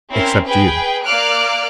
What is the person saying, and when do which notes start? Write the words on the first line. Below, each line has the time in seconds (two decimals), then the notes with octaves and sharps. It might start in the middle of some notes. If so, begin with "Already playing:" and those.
"Except you."
0.10 C4 C#4 E4 A#4 C5
0.45 G#4 B4 G5
1.03 A#3 D5 F5 F6 F#6 D7